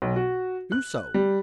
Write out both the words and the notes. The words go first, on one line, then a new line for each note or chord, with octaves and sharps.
"Do so."
B1
F#4
F#6
G3